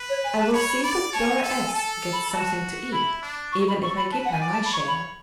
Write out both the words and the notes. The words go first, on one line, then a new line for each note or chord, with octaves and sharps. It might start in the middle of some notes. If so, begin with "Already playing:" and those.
I will see that Dora S. gets something to eat, even if I give her my share.
Already playing: B4
C#5
G#5
A5
C#5 B5
B5
D5 B5
C#5 A5
G#5
F#5
G#5
A4
G#5
A4 A5
B5
B5
F#4 A5
E4 B5
D4
C#6
B5
A4 C#6
B5
B4 A5
F#5
G#5
D5
A5
B5
C#5 C#6
B5